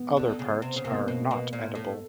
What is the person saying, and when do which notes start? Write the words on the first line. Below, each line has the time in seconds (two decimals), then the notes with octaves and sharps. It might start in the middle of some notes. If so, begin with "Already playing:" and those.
Other parts are not edible.
Already playing: B3
0.17 D3
0.39 C#3
0.62 C3
0.76 C#3
0.84 C3 A#3
0.92 B3
0.99 A#3
1.08 B2
1.31 B2
1.53 A#2
1.75 A2